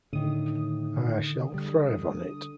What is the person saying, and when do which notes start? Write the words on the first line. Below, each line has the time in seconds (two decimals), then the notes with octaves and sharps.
I shall thrive on it.
0.13 A2 D3 D#3 D#6
1.54 G3